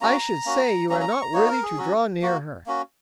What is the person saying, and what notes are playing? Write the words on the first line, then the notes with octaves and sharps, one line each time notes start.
I should say you are not worthy to draw near her.
A#3 C#4 F#4 A#5
A#3 C#4 F#4
F#3 A#3 C#4 A#5
A#5
C#6
A#5
A#3 D#4 F#4 C#5
A#4
G#4
F#3 C#4 F#4
A#3 F#4
A#3 C#4 F#4